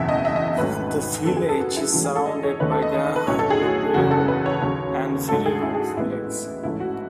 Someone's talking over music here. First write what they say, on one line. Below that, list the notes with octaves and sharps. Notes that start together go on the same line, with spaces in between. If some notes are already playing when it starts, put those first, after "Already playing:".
The village is surrounded by the Muneru and Vireru lakes.
Already playing: F#1 E2 B2 E5
D#5
E5
D#5
D#5
G#1 G#2 F#3 A3 C#4 B4
F#2 D#3 F#3 B3 A4
G#4
A4
F#4
E4
G#2 E3 A3 C#4 F#4
G#4
A4
D#5
C#5
D#2 D#3 A3 C#4 B4
A4
D#5
D#5
D#5
B4
B1 A2 F#3 A3 C#4 C#5
A4
G#4
F#4
F#1 E2 C#3 F#3 C#4 F#4
A4
B4
C#5
D#2 C#3 F#3 C#4
G#2 F#3 A3 A4
G#4
E4
G#4
F#4
A1 A2 G#3 B3 E4
A1 G#2 E3 A3 C#4 E4
F#4